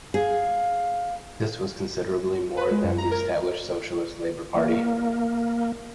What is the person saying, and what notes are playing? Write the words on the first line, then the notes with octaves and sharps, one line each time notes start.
This was considerably more than the established Socialist Labor Party.
G#4 F5
B4
G#3
F#2
A#5
A#4
A#3